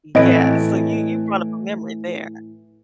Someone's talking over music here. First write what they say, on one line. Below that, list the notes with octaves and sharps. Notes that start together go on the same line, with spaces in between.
Yeah, so you you brought up a memory there.
A2 E3 A3 C4 D#5 D7